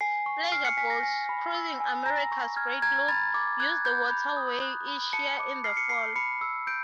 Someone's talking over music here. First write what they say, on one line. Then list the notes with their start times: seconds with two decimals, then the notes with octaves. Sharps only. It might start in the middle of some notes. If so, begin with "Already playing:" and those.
Pleasure boats, cruising America's Great Loop, use the waterway each year in the fall.
0.01 G#5 C7
0.26 C#6
0.52 F6 C7
0.65 C#7
0.77 G#5 B6
0.90 A#6
1.03 G#5
1.29 B5
1.55 E6
1.80 G#5
2.06 A#5 A#6
2.32 C#6
2.56 F6 G#6
2.82 A#5 G#6
3.08 B5 A6
3.34 D6
3.60 F#6 G#6
3.85 B5 G6
4.11 B5
4.37 D#6
4.62 F#6
4.88 B5
5.13 A5 C#7
5.40 D6
5.64 F6 C7
5.77 C#7
5.89 A5 C7
6.16 B5 C#7
6.41 E6
6.67 G6 D7